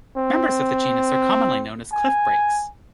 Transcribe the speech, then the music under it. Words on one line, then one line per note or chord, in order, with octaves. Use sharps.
Members of the genus are commonly known as cliffbrakes.
C4
G#5